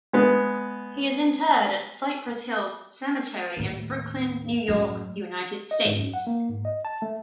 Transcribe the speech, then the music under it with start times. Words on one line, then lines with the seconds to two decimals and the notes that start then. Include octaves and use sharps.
He is interred at Cypress Hills Cemetery in Brooklyn, New York, United States.
0.13 G#3 B3
3.57 D#2 A2
4.68 F#2 A2
5.71 D#5
5.85 G#2
5.99 F#2
6.14 F#5
6.27 A#3
6.49 G#2
6.65 D#5
6.85 A5
7.02 A3